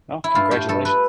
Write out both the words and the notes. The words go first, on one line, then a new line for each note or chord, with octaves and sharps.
Oh, congratulations.
E4
G2 F4
A3 G4
G2 A4
B4